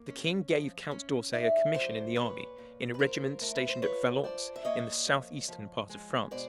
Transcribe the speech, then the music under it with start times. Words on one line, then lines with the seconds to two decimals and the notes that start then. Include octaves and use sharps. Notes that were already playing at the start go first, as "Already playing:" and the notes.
The king gave Count d'Orsay a commission in the army in a regiment stationed at Valence in the southeastern part of France.
Already playing: A#3
0.09 C#4
0.50 F3
0.91 C#4
1.33 D#4 D5 E5
1.75 F#3 C5 D5
2.15 A#2 B4 C#5
2.58 A#2
2.94 B4
2.99 F4 A#4 C5
3.41 A3 A#4
3.56 B4
3.69 C5
3.82 F4 B4 C#5
4.24 D4 C5 D5
4.56 E5
4.65 A#3 C#5 D#5
5.06 F3
5.48 F3
5.90 G#3
6.31 B2 C5 D5